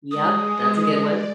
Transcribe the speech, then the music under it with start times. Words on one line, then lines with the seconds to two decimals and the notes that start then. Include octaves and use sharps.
Yep, that's a good one.
0.12 G#3 D#6
1.01 D5